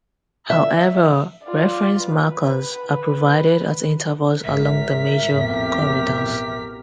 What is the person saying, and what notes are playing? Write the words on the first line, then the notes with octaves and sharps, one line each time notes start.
However, reference markers are provided at intervals along the major corridors.
E5
F4 D5
B4
G#1 A#4 E5 B6
A1 F2 B2 G4